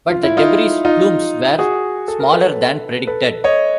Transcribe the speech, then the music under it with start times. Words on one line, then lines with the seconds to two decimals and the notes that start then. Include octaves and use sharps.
But the debris plumes were smaller than predicted.
0.10 F4
0.23 E4
0.37 D#4 F4
0.85 D#4 F4
1.59 F#4 G#4
2.08 A4
2.20 A#4
2.33 A4 B4
3.07 A4 B4
3.44 C#5 D#5